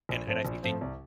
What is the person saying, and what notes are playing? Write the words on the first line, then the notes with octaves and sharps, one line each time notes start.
and and I think they
A#1
A2 F3 C4
A#1
A2 F3 C4
C2